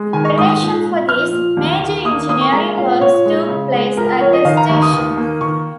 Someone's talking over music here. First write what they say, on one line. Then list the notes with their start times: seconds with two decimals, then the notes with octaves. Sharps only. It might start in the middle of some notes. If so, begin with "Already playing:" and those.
In preparation for this, major engineering works took place at the station.
Already playing: G#3
0.13 D#3 G#5
0.25 C#6
0.38 G#2 D#6
0.49 D#6
0.61 A#2
0.86 A#2
1.09 F3 F6
1.33 A#2
1.57 D#2
1.80 D#3
2.05 A#3 D#6
2.29 A#3 D#6
2.41 C#6
2.53 G#3 A#5
2.77 A#2 F5
3.01 A#2 C#5
3.26 G#3
3.49 C#3
3.73 G#3
3.97 C#2 A#4
4.09 A#4
4.21 F3 C#5
4.33 D#5
4.45 D#3 F5
4.57 A#5
4.69 D#2 C#6
4.82 D#6
4.93 D#3 D#6
5.17 A#3
5.41 D#3 C#6